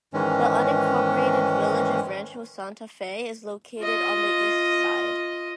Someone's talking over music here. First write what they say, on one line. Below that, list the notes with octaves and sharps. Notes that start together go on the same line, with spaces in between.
The unincorporated village of Rancho Santa Fe is located on the east side.
G#2 D#3 E3 G#3 C#4
F4 D#5